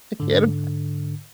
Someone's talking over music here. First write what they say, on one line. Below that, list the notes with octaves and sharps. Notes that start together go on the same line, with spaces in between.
I can't
G#2 D3